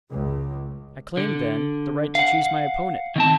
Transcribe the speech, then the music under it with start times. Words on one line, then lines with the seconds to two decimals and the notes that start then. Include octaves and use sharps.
I claim, then, the right to choose my opponent.
0.10 C#2
1.17 D3
2.15 F5 F#5
3.16 D#3 C4 A5